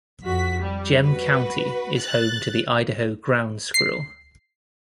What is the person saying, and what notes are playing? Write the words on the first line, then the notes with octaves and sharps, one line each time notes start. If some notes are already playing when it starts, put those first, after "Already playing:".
Gem County is home to the Idaho ground squirrel.
F2 F#4 B6
G3
F#4 B4
F#6 A6
C7